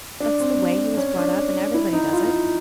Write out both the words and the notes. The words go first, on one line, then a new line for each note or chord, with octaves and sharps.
That's the way he was brought up, and everybody does it.
D4
C4
C#4
D4
E4
D#4
F4
F4